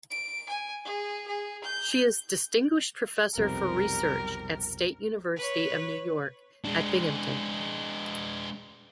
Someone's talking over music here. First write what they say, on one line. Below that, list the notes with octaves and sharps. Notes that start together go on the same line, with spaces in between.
She is Distinguished Professor for Research at State University of New York at Binghamton.
D7
G#5
G#4
G#4
G6
B1 F2 C3 G3 A#4
B4 C#5
G#3 D4